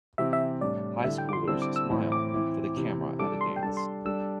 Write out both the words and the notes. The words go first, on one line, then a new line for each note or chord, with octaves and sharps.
Highschoolers smile for the camera at a dance.
C3 E3 C4 G4 E5
E5
A2 G3 D4 D5
D3 G3 E4 E5
G5
D6
C6
D3 G3 C4 E4 A4 E6
D6
E6
A2 E3 C4 E4
D6
E3 C4 E4
C3 E3 C4 E4
G3 D4 A4 D6
C6
G5
G3 D4 A4 A5
C6
G3 D4 A4 E6